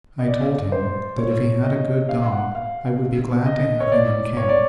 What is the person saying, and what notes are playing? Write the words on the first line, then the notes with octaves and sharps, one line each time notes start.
I told him that if he had a good dog I would be glad to have him in camp.
D#5
D5
C5
C#5
D#5
F5
F#5
F5
D#5
C#5
D5
C#5
D5